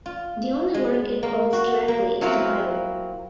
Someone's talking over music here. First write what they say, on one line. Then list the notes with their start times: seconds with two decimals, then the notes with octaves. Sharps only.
The only work it quotes directly is the Bible.
0.06 F4
0.74 G#3
1.23 A#3
1.53 F#4
1.88 A#3
2.21 F#3 A#3 C4 E4 F4